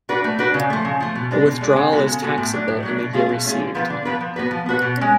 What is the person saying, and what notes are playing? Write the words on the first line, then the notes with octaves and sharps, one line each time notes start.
A withdrawal is taxable in the year received.
D4 F#4 B4
A3
D4 F#4 B4
C#3
F3 A3
C#3
F3 A3
B2
G#3 D4 G#4
B2
G#3 D4 G#4
C#3
G#3 B3 F#4 A4
C#3
G#3 B3 F#4 A4
A2
F#3 A3 D4
A2
F#3 A3 D4
B2
A3 C#4 F4 G#4
B2
A3 C#4 F4 G#4
D3
F3 B3 F4 B4
D3
F3 B3 F4 B4
F3
B3 F#4 B4
F3
B3
F#4 B4
B2
G#3 C#4